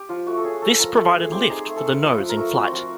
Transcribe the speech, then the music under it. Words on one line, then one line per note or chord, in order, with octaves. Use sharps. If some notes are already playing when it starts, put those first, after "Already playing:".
This provided lift for the nose in flight.
Already playing: G4
F3 F4
A3 F#4
A4
C#4 G#4
F3 A4
F3 A#4
A3 A4
A3 G#4
C4 G4
D#4 G#4
A3
A4
A3
F3 B4
F3
A#4
A3
C4 F#4
F3